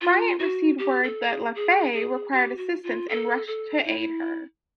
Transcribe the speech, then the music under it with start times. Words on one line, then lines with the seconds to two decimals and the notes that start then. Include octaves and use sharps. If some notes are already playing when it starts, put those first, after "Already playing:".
"Bryant" received word that "Laffey" required assistance and rushed to aid her.
0.01 F4
0.39 F#4
0.78 G4
1.04 A4
1.29 G#4
1.55 G#4
1.93 G#4
2.32 G4
2.57 F#4
2.83 F4
3.09 A4
3.47 A4
3.85 E4